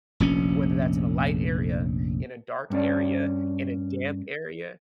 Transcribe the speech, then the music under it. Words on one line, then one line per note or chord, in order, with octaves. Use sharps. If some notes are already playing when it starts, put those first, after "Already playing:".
whether that's in a light area, in a dark area, in a damp area
F1 A#1 C#4
G2 C#4 D5